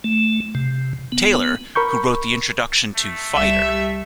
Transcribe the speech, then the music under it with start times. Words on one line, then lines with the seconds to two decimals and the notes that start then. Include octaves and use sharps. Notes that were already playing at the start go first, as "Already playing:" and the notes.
Taylor, who wrote the introduction to "Fighter".
0.04 A3
0.55 C3
1.12 B3
1.75 A#4 B5 C#6 G6
2.96 A3
3.34 C2 G3 E5